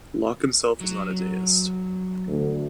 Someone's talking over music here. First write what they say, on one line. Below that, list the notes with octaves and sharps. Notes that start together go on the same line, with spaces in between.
Locke himself was not a deist.
F#3
D2